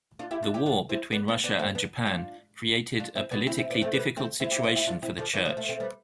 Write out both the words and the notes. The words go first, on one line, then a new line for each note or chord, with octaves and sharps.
The war between Russia and Japan created a politically difficult situation for the church.
D4 F4
E4 G4
D4 F4
E4 G4
D4 F4
C4 E4
B3 D4
B3 D4
B3 D4
A3 C4
B3 D4
D4 F4
D4 F4
C4 E4
B3 D4
C4 E4
C4 E4
B3 D4
A3 C4
G3 B3
A3 C4
C4 E4
E4 G4
D4 F4
E4 G4
D4 F4
C4 E4
D3 F3
E3 G3
F3 A3
A3 C4
A3 C4
G3 B3